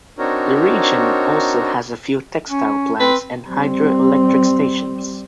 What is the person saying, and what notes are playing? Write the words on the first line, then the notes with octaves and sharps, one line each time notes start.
The region also has a few textile plants and hydroelectric stations.
C4 D4 D#4 F#4 A#4 C#5
C#4
C4 B4
G3 C4